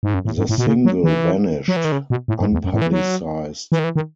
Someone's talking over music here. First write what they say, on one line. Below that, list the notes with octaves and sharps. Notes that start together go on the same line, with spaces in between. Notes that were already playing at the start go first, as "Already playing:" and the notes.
The single vanished, unpublicised.
G#2
F#2
A2
G#2
A2
B2
C#3
F#3
E3
F#3
E3
D#3
C#3
B2
A2
G#2
E2
F#2
A2
E3
F#3
E3
D#3
E3
D#3